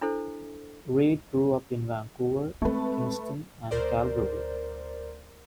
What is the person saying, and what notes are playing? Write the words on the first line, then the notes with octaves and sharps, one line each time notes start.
Read grew up in Vancouver, Kingston and Calgary.
D4 E4 A4 C5
G#3 A3 C4 B4
D2 A#4 C5 D5